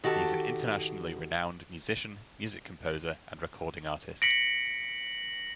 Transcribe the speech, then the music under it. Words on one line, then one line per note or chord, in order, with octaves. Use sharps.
He is an internationally renowned musician, music composer, and recording artist.
D#3 F#4 G4 A4
A#6 B6 C#7 D7 F#7